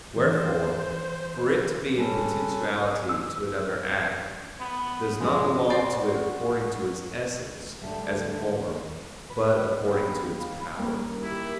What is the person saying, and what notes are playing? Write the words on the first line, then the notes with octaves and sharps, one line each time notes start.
Wherefore, for it to be in potentiality to another act, does not belong to it according to its essence, as a form, but according to its power.
E3 C5
G3 C#4 A4 B4
E6
B3
G2 C#3 F3 G#3
C4 F#4 D5
D2 D3 G3 A3 E5
B4 B5
D#2 B3 B5
F5
G3 A#3 C#4 A#4
E4 G4